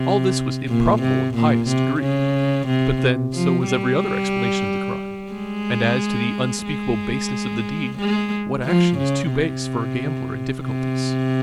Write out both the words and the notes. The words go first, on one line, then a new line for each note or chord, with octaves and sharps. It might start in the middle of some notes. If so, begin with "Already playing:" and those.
All this was improbable in the highest degree, but then so was every other explanation of the crime; and as to the unspeakable baseness of the deed, what action is too base for a gambler in difficulties?
Already playing: C3
A#2
C3
A#2
C3
C#3
C3
F3
G3
G#3
G#3
G#3
F3
C#3
C3
C3